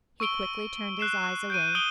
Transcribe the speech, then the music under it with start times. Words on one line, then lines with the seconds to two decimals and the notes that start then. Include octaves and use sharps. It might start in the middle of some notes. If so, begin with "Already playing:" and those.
He quickly turned his eyes away.
0.20 C#6 E6 D7 G7
0.99 F#6 C7 E7
1.50 G6 D7 D#7
1.75 D#6 F#6 D7 G7